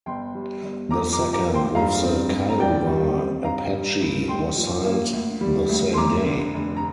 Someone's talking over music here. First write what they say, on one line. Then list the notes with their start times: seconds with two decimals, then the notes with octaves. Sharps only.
The second, with the Kiowa-Apache, was signed the same day.
0.06 G1 G5 C6
0.35 G3
0.63 G1
0.91 F2 A#5 D6
1.12 A#5 D6
1.19 F3
1.33 A#5 D6
1.47 A#3
1.54 G5 C6
1.75 G2 F5 A#5
2.03 C4
2.31 G2
2.49 A#5
2.59 F2 D5 G5
2.87 G3
3.16 C4
3.44 G2 F5 A#5
3.73 G3
4.01 G2
4.28 D2 G5 C6
4.57 F3
4.85 A#3
5.13 D2
5.41 G3
5.69 D2
5.93 C6
5.97 F1 A#5 D6
6.26 D3
6.54 F1
6.76 A#5